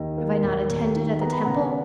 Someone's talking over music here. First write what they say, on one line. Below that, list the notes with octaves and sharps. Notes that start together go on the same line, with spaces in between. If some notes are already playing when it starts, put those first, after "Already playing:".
Have I not attended at the Temple?
Already playing: D#2 D#3 D#5
A#3
D#2
D#2
D#3
B3 A#5
B5
C#3 F#5 A#5